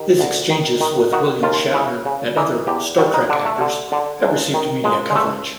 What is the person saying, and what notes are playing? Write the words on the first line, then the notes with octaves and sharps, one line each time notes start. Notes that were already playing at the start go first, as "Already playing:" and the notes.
His exchanges with William Shatner and other "Star Trek" actors have received media coverage.
Already playing: D#3 G4
D2
D#3
D#3
D#3 F#4
D#2 F4
C#3 E4
C#3
E3 D#4
E2 G4
G2 F#4
D#4
D3 D4
A3
D3
D3
C#2
D#3
C#2 G#3
G#3
C#2 A3